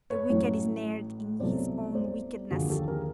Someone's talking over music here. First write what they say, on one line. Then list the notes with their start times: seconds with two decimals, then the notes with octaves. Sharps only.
The wicked is snared in his own wickedness.'
0.10 B4 C#5
0.29 A1 A2 F#3 A3
1.39 C2 B2 F#3 A3 C5 D5
1.95 C5 D5
2.51 D#2 D3 F3 A#3 F#4 G#4
2.69 G4 A4
2.88 G#4 A#4